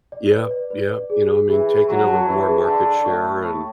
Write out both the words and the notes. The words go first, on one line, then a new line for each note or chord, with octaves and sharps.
yeah, yeah, you know, I mean, taking over more market share, and
D5
B4
D5
B4
D5
G#4
G#4
E3 G#4
G#4
F#3 C#6
A5
E3 C#6
G#4
D3 A5
A5
A2 C#6
C#6
A5